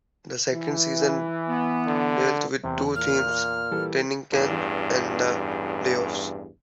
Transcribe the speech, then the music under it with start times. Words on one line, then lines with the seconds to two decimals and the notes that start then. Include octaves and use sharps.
The second season dealt with two themes: training camp and the playoffs.
0.52 E3
1.48 B3
1.87 D3
2.63 E2 C3
2.96 A#2 F6
3.71 E3 G3 A4
4.31 A1 E2 G2